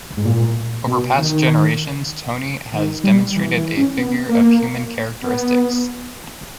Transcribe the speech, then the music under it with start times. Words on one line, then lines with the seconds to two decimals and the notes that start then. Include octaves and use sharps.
Over past generations Tony has demonstrated a figure of human characteristics.
0.17 G#2
0.25 A#2
0.87 B2
1.18 D#3
2.74 D#3
3.04 G3
3.36 E3
3.57 E3
3.77 C#4
3.98 B3
4.29 A#3
5.22 B3